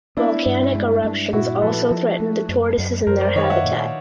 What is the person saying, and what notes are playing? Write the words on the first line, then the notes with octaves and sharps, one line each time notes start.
Volcanic eruptions also threaten the tortoises and their habitat.
B3 D4 E4
G2
G#3
G2
A#2 E4 F#4
F3 A4 B4
F3
A3
F#2
F#2
F#2 A#4 C5
C5 D5
D#3 C#5 D#5
F5
E5 F#5
A#2